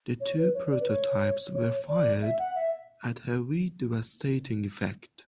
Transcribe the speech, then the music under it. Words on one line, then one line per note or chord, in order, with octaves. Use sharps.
The two prototypes were fired at her with devastating effect.
C#5
B4
C#5
C#5
D5
B4
C#5
C#5
D5
E5
F#5
E5